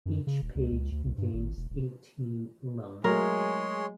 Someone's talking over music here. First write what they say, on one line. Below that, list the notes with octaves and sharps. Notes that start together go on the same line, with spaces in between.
Each page contains eighteen lines.
F#2
C#3
D#1
C#2
C#2
D2
C2
G2
G#1
E1
D1
F#3 G#3 A3 G#4 A#4 C#5 C6